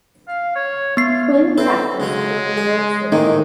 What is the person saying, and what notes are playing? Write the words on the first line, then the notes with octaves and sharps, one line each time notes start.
Quinn practiced in New York City.
F5
C#5
B3 F4 C7
C4 A4 B4 E5
C#3 F#3 G#3 C#4
G#4
A2 D#3 A#3 C4 D#4